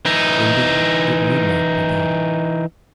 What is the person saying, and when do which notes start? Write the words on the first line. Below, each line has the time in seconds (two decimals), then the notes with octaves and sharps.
Indeed it need not be doubted.
0.06 E3 D#4